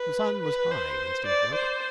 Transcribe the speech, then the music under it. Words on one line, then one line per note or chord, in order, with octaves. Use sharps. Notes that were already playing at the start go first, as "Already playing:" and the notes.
The sun was high when Steve woke.
Already playing: B4
B4
C5
D5
C5